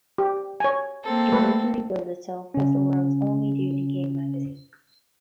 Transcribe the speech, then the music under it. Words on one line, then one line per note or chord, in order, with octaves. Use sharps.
It originally billed itself as "The World's Only Daily Game Magazine".
G4
C#5 G#5
A#3 C4 A4
A3 B4
C#3 C#4